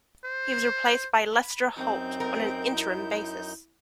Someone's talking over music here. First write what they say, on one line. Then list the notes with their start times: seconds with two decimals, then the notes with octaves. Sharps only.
He was replaced by Lester Holt on an interim basis.
0.24 C5
1.33 B5
1.77 F#2 C4 D#4 G6
2.20 A#4
2.73 E4